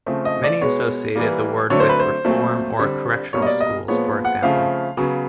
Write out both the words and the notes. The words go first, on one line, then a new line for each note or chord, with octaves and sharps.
Many associated the word with reform or correctional schools for example.
C#3 F3 A3 C4
D#5
D5
B2 G#3 B3 C#5
E3 G3 A#3
D3 F#3 A3 C4 C#5
C5
B4
C5
A#2 F#3 A3 C4
D3 G3 C4
B2 G3 A#3 C#5
D#5
D5
D#5
A#2 F3 G#3 B3 C#5
F#5
C#3 F3 A3 C4 F5
C#3 F#3 B3